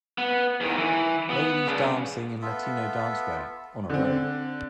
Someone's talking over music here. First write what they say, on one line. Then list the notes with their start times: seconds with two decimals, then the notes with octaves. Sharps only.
Ladies dancing in Latino dancewear, on a road.
0.18 B3
0.61 E2 D#3
0.78 E3
1.30 B3
1.68 C#3 D4
2.42 B3 F4 A4 E5
3.90 D3 C4